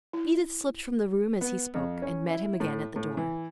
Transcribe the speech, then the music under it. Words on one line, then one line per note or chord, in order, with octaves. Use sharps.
Edith slipped from the room as he spoke, and met him again at the door.
E4
B3
F2
C#4
E4
A2
A2
E3